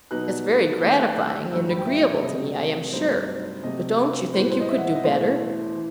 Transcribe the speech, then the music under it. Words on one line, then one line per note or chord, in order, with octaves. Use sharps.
It's very gratifying and agreeable to me, I am sure; but don't you think you could do better?
B2 F#3 B3 D#4 F#6
D#3 A3 D#4 G6
F#6
F#6
E6
F#6
G2 D#3 F#3 A3 E6
B5
G5
E5
C3 F#3 A3 D#5
G2 F#3 A3 C4 D#4 C5
C3 F#3 A3 D#5
A2 G3 B3 C5
B4
C5
D#5
E5
F#5
E5
D#5
E2 B2 A3 E4 C5
E3